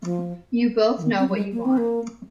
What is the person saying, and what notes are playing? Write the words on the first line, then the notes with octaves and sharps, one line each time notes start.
You both know what you want.
F3
F3
D#3
C4
G3
G#3
A#3
C4
A#3